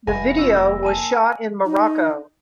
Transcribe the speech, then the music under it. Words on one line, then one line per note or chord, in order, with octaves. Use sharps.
The video was shot in Morocco.
F1 G#5 B5 A#6
C#4 F4 E6
A#3
G#5 A5 D#7
D#4